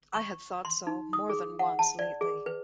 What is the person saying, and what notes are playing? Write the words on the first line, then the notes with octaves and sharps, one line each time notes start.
I had thought so more than once lately.
C#6
C6
D#4
D#6
G#4
F#5
A5
D5
G#4
B4